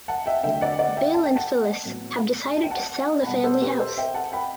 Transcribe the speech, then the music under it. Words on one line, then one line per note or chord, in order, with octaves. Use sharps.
Bill and Phylis have decided to sell the family house.
F#5 A5
E5 G5
D3 F#3 A3 E5 G5
D5 F#5
D5 F#5
E5 G5
A5
G5
F#5 A5
A2 F#3 B3
A5
G5
F#5 A5
B5
B2 G3 B3 F#5 A5
A4 C5
G4 B4
A4 C5
E5 G5
F#5 A5
G5 B5